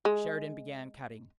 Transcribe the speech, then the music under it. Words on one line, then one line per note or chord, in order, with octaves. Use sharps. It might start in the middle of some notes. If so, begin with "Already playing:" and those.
Sheridan began cutting.
G#3